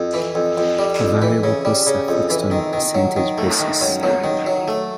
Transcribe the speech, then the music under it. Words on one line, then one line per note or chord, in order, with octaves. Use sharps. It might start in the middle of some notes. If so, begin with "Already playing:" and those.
Variable costs are fixed on a percentage basis.
Already playing: F2
E3
F2
F2
G3
F2
E3
C#3
G3
C#3
F2
E3
D#3
D#3
F#3
D#3
A3
D#3
F#2
F#3
D#3
F#3
A3